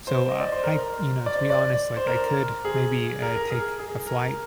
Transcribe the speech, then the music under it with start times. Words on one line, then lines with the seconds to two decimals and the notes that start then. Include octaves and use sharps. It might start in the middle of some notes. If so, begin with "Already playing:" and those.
So, I I you know, to be honest, like, I could maybe, uh, take a flight
0.07 C5
0.29 D#5
0.40 D5
0.52 C5
0.64 A#4
1.26 D5
1.36 C5
1.50 D5
1.97 C5
2.07 A#4
2.65 G#4
3.22 A#4
3.35 A#4
3.50 G#4
3.79 G#4
4.07 A#4